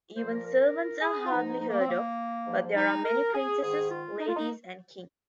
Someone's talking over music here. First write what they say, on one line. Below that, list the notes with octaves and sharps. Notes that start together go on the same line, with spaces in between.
Even servants are hardly heard of, but there are many princesses, ladies and kings.
A#2 F3 C5
A#4
A#4
G#4
F4
G#2 F3 D#4
D#4
A#3
C4
A#3
G#2 F3
D#4
A#4
G#4
G#2 D#3 G#4
F4
D#4
F4
D#4